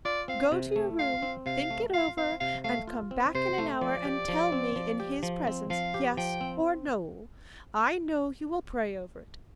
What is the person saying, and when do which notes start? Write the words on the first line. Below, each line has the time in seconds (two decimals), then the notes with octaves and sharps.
Go to your room, think it over, and come back in an hour and tell me in his presence: yes or no. I know you will pray over it.
0.05 F4 D5
0.28 C4 F5
0.52 C3
0.76 A3
0.99 F4 F5
1.23 C4
1.46 C3 F5
1.71 A3
1.93 F4 F5
2.17 C4 F5
2.40 C3 F5
2.64 A3 F5
2.88 F4
3.11 C4
3.35 C3 C5
3.58 A3
3.81 F3 D5
4.05 G4
4.28 F3
4.52 C4
4.76 F3
5.00 G4
5.23 F3
5.47 C4
5.70 F3 F5
5.94 G4
6.17 F3 G5
6.41 C4